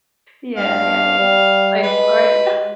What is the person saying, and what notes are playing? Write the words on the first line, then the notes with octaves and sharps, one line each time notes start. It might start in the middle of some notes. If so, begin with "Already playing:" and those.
Yeah, yeah, yeah, yeah, like, already up.
G2 F5
G3
G#3 B4